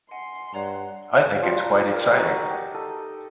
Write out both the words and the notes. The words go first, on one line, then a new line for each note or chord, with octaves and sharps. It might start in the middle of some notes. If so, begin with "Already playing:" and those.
I think it’s quite exciting.
D#5 F#5 G#5 C6
G2 C#5 D5 F#5 A#5
F3 G3 A#5
G3 A#4
F#3 G#3 D#4 G4
F#4 F#5
G4 A5
A4 D#6